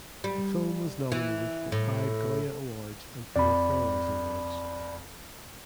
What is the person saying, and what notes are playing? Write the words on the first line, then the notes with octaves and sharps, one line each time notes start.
The film was nominated for five Goya Awards and four Feroz Awards.
G3
E3
A2
F2 D5 B5